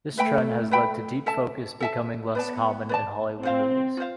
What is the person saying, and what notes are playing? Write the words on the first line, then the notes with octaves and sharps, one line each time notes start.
This trend has led to deep focus becoming less common in Hollywood movies.
A3 B4 E5 G5 B5
B4 E5 G5 B5
A4 E5 A5
A4 E5 A5
B3 B4 D5 A5
B4 D5 A5
C4 F4 C5 F5
F4 C5 F5